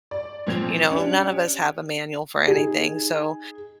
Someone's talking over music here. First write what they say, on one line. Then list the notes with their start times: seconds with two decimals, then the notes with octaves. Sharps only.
You know, none of us have a manual for anything, so
0.11 D5
0.47 A#2 F3 C4 G#6 F7
0.90 C#4 D4 G4
2.48 D#4 G#4